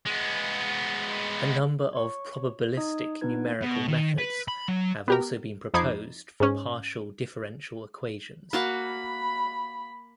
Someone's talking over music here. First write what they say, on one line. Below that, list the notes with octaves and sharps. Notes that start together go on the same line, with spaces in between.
A number of probabilistic numerical methods have also been proposed for partial differential equations.
G#3 B3
C#5 C#6
D#4 D#5 D#6 G#6
B3 D4 D#4 B4 G#6
B2
D#3
B4
B5
F#3
B3 G4 A#4
F2 D#4 B5 D6 G#6 C7
G#2 C#4
A#3 F#4 F5 B5